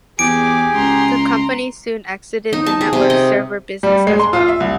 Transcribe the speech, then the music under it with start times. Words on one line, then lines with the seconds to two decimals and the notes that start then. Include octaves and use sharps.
The company soon exited the network server business as well.
0.19 E2 G4 G#4 G#5 D6 D7
0.74 C#2 A#5 C6
2.53 D#4
2.66 A5
2.81 G#4
2.93 C3
3.10 D#5
3.83 G3
4.07 G#3
4.19 C6
4.33 F4
4.48 E5
4.60 C2